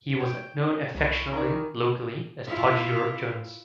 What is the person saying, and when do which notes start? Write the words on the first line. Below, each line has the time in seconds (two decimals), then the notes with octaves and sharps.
He was known affectionately locally as 'Todger' Jones.
0.20 C#5 G5
0.59 C#4
0.94 C2 E4 C#6
1.33 D#3 G#4 D5 A#5
2.47 E4 F4